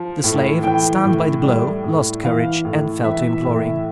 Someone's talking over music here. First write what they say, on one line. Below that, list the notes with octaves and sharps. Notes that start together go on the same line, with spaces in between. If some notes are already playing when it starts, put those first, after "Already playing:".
The slave, stunned by the blow, lost courage and fell to imploring.
Already playing: F3
A2
E3 G5
A2
G3
A2
E3 F5
A2
E3 E5
A2